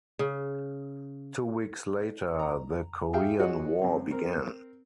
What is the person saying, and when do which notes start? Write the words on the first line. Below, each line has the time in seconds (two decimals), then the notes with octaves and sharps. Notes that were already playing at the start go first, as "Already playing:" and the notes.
Two weeks later the Korean War began.
0.19 C#3
2.39 A#5
3.13 G4 G#4 E5 F5 G5
3.39 F4 F#4 G#4 C#5 D#5 F#5
3.82 F#2 C4
4.11 C4 A#4